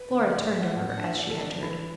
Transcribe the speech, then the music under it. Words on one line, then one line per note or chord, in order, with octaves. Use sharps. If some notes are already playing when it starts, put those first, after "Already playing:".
Flora turned to her as she entered.
Already playing: B4
D3
A2 D5
E5
A3
F#5
A2
F#5
D4
E5
D4 D5
A4
D4 D5
D4
E3 E4